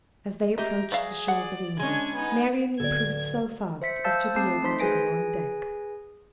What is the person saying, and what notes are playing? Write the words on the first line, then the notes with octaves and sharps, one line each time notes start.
As they approached the shores of England, Marian improved so fast as to be able to go on deck.
G4 D#5 E5 A#5
F#3 G#4 D5 E5 F5
D5 F#5
G#3 C#4 D4 G#5 G#6
B3 D#4 G#5
D1 A4 D5 G#6
C5 E5 B6 C#7
C5 F5 A5 E6 G6 A6
A3 C4 A5 C7
A3 D#4 C5 C6 B6
G#4 B4 G#5 A#6 D7